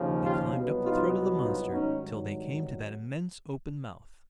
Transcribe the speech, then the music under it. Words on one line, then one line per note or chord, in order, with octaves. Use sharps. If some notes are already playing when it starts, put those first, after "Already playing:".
They climbed up the throat of the monster till they came to that immense open mouth.
Already playing: D#2 C#3 F3
F4 G4
C2 B2 F#3 B3
D#4 F4
D#4 F4
G#1 G2 D#3 F#3 C#4 D#4